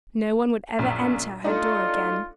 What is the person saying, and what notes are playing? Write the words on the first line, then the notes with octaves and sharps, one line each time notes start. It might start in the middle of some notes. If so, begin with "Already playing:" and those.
No one would ever enter her door again.
A#1 F#2
A3 D4 D#4 F4